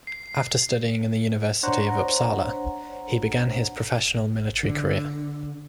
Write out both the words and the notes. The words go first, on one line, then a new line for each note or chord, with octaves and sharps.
After studying in the University of Uppsala, he began his professional military career.
C7
D4 C5 C#5 F#5 A#5
D3